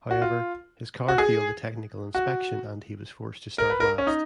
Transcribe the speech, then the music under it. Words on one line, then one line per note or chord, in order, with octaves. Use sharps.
However, his car failed the technical inspection and he was forced to start last.
F#4
F4
F#4
G#4
F#4
A#4
B4
A#4
C#4
D#4